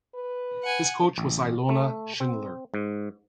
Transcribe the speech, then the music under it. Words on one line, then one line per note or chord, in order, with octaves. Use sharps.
His coach was Ilona Schindler.
B4
F#5 G#5
A1
A3
C4
G#2